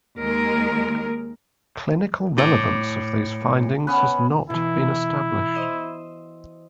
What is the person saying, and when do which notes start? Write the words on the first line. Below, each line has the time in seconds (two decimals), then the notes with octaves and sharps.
Clinical relevance of these findings has not been established.
0.19 D#2 G#3 A#4
2.38 A2 D5
3.87 B3 C#4 B4
4.50 B2 E3 E4
5.55 C5 D#5 E6